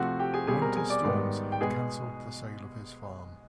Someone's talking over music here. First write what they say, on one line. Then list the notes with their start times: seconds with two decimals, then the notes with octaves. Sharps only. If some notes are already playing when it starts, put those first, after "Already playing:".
Winter storms had cancelled the sale of his farm.
Already playing: C3 F3 A3 C4 F#4 F#5
0.19 G4 G5
0.34 G#4 G#5
0.47 B2 G3 C4 G#4 G#5
0.62 A#4 A#5
0.76 G#4 G#5
0.90 D5 D6
1.05 G#2 D#3 G3 B3
1.52 G5
1.61 B2 G#3 B3 G#4 G#5